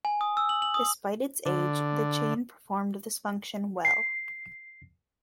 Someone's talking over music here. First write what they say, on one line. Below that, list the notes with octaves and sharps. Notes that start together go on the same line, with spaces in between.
Despite its age, the chain performed this function well.
G#5
D#6
E6
F#7
F#7
D#6
D3
C7